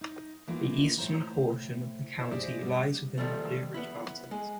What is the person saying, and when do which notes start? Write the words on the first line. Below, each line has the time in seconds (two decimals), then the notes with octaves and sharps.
The eastern portion of the county lies within the Blue Ridge Mountains.
0.01 D#4
0.48 E3 A#3 B3 D#4 F4 A#4
0.98 A2 C5 A#5
2.20 E4 C5
2.32 G4 G#4 C5 D5 D#5
2.63 G3 B3
3.18 D#3 F3 G3 A3
3.74 B3 E4
4.31 G#3